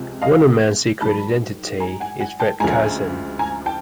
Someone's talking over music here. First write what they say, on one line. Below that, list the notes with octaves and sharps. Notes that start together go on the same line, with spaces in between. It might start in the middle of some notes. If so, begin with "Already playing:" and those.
Wonder Man's secret identity is Fred Carson.
Already playing: C#2 C3 F3 G#3
D#5 F5
G#2 D#3 F#3 A5 B5
G#5 A#5
F#5 G#5
F#5 G#5
G5 A5
D2 C#3 F3 G#3 G#5 A#5
G#5 A#5
G5 A5